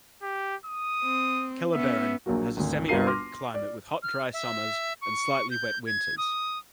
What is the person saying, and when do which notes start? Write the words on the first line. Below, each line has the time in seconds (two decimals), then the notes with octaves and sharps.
Kellerberrin has a semi-arid climate with hot dry summers and slightly wet winters.
0.22 G4
0.65 D#6
1.03 C4
1.74 B3 C#4 E5
2.26 A#1 F#3 A#3 F#4
2.57 G#1 D2
2.88 G1 G3 F4 A#4 C7 D#7
3.07 C6 D6 F6 A#6
3.54 D5
4.03 F6
4.33 E5
5.02 C#6
5.51 G6
5.86 G#6
6.18 D#6